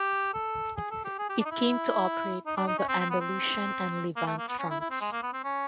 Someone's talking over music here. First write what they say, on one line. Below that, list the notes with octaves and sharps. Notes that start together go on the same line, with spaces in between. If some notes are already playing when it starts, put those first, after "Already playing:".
It came to operate on the Andalusian and Levante fronts.
Already playing: G4
A4
G#4
A4
G4
G#4
G4
D4
D#4
E4
D#4
D4
D#4
C#4
C4
C4
B3
C4
A#3
A3
A#3
B3
C#4
E4
E4
C4
G#3
A#3
B3
C4
C#4